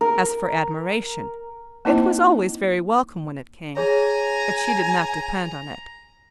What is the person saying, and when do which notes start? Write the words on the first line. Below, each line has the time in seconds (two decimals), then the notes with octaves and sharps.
As for admiration, it was always very welcome when it came, but she did not depend on it.
0.01 A#4
1.85 A#3 C4 D#4 E4 C5 D#5
3.77 G#4 C#5 G#5 A#5